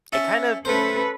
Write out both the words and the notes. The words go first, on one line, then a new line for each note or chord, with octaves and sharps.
It kinda
C#4 E5 A5
A3 C#4 A4 B4 C5